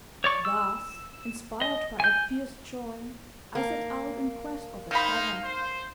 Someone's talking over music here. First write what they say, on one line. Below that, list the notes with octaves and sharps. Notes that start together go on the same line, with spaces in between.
Thus, inspired by a fierce joy, I set out in quest of a tavern.
C#5 D5 C#6
E6
D#5
G#5 G6
A#3
D#3 D#4 E4 C5 F5 B5
C5